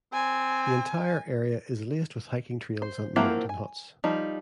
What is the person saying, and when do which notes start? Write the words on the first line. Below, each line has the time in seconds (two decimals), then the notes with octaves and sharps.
The entire area is laced with hiking trails and mountain huts.
0.13 C4 G#5
2.82 C5
3.16 F3 F#3 A#3 C4 E4
3.49 G#5
4.04 F3 G3 D#4